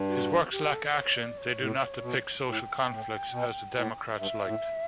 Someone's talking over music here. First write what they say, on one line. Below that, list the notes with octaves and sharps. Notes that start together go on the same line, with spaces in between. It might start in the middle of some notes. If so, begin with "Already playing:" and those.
His works lack action, they do not depict social conflicts, as the democrats liked.
Already playing: G2
F#4
G4
A4
C#5
D5
C#5
A2
B2
A2 G5 A5
A2
B2
A2
G2 E5
A2